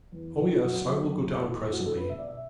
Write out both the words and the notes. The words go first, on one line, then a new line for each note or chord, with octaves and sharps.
'O yes, I will go down presently.
E2
B2 B3 D4
F#2 F#4
F#3 B3 D4
F#2
E3 A3
B2 A4
F#4
A3 D4 A4
B4
B2 E5
D5
E5